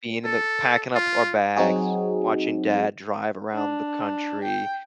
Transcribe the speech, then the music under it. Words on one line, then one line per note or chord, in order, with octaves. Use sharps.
being in the packing up our bags, watching dad drive around the country,
A4
F4
F#3 C4 D#4 F#4 G#4
D4
G5